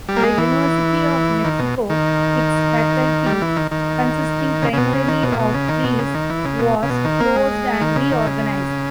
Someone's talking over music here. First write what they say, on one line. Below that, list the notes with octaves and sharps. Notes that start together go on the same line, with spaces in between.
The University of Mexico, its faculty consisting primarily of priests, was closed and reorganized.
G3
A#3
G#3
E3
D#3
B2
D#3
G3
E3
D#3
D#3
C#3
C#3
B2
C#3
D#3
B2
A#2
B2
C#3
D#3
B2
C#3
D#3
E3
C#3
B2
C#3
B2
D#3
A#3
G#3
D#3
C#3
D#3
C#3